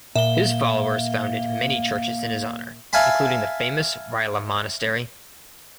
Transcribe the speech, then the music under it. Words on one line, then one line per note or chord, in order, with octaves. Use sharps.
His followers founded many churches in his honor, including the famous Rila Monastery.
A#2 A#3 E5 G7
E5 F5 G#5 A5 B5